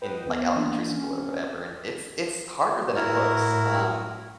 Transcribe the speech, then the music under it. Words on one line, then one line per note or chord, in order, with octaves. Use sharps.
in, like, elementary school or whatever, and it's it's harder than it looks. Um,
B4 D#5 F#5 G5
D2 B3 C4
E3 A#3 D4
C#4
C4
A2 E4 F#4 A#4